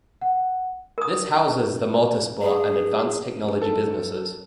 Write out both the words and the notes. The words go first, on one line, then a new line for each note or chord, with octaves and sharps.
This houses the Motorsport and Advanced Technology businesses.
F#5
A#4 D#6
G#4
A4